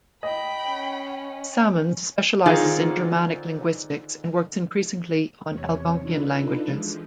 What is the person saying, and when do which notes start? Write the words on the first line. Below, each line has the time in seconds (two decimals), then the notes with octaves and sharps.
Salmons specializes in Germanic linguistics and works increasingly on Algonquian languages.
0.23 D#5 G5 B5
0.69 C#4
2.46 D3 D#3 C4 D#4 F4 G#4
5.48 E2 C3 C#5
6.00 D4 D#4 F4 A4 B4
6.63 E3 F3 G#3